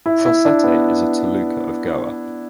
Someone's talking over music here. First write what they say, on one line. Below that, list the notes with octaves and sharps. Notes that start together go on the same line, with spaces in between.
Salcete is a taluka of Goa.
E4
E4
D4
B3